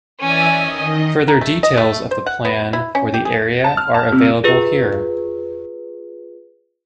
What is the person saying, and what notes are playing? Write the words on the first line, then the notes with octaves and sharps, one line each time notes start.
Further details of the plan for the area are available here.
E3 C#4 D5 E5 G#5
D#3 D#5
A#4
A3
D#5
A3
C5
F#5
B3
E4
C#4
G4
G#4
A5
F6
A5
C3
F4 G#4 B4